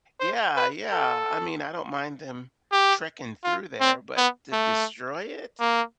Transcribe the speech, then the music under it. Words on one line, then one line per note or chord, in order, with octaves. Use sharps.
Yeah, yeah, I mean, I don't mind them trekking through there, but to destroy it?
C5
B4
A4
G4
F4
C4
B3
A3
A#3